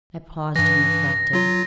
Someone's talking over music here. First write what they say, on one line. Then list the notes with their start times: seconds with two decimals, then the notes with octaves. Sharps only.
I paused and reflected.
0.56 G2 E3 A#6
1.33 F#3 F4